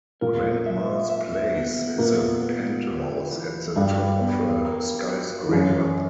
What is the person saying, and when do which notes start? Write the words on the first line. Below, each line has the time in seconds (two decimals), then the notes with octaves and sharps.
Grandma's place is a penthouse at the top of a skyscraper.
0.21 A#2 A#3 A#4
0.66 E5
1.10 E5
1.54 B3
1.98 A#2 A#3 B3
2.42 B3
2.87 G4
3.32 E3
3.76 G2 G3 F#4
4.21 B3
4.65 A#4
5.08 F#4
5.49 E3
5.53 F#2 D3 F#3